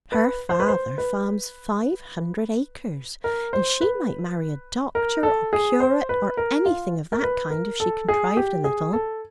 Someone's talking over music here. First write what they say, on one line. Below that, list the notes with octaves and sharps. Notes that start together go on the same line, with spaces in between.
"Her father farms five hundred acres, and she might marry a doctor or curate or anything of that kind if she contrived a little."
B4
C5
B4
C5
B4
A#4
C5
B4
A#4
A4
G#4
C5
B4
A#4
F4
A#4
B4
A#4
A4
G#4
G4
G#4
A4